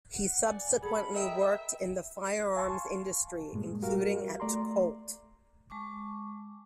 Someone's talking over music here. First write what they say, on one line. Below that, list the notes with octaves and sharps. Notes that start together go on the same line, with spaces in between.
He subsequently worked in the firearms industry, including at Colt.
F#5
D5 G#5
G#4 A4 B5
A#4 D#5 E5 G5
F5 G#5 A5 C6 C#6
G2 A#2 G#3
G3 F#4 G4 A#4 F5
A3 D5 A#5 C6
G#3 A5 C#6 D6